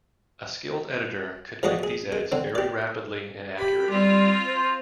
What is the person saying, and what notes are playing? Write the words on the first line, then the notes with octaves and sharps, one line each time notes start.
A skilled editor could make these edits very rapidly and accurately.
F3 G#3 A3 F#4 D5 D#5
G#4
G#3
D3 C4
G4 D5
G4 B5
G3 C4 F4
C5